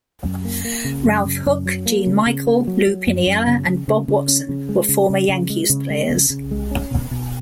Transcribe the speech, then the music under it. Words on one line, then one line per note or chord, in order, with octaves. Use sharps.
Ralph Houk, Gene Michael, Lou Piniella, and Bob Watson were former Yankees players.
F#2
A#3
A#3
C#3
F#2
C#3
F#2
F#3
A#3
C#3
C#3
A#3
F#3
F#3
F#2
F#2
C#3
C#3
C#3
C#3
C#4
C#3
G#3
C#3
C#3
C#3
G#3
C#3
G#3
C#3
C#3
G#3
C#4
B2
B2